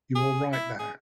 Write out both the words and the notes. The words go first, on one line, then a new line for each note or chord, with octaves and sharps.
You all right there?
G#4
E4
G#4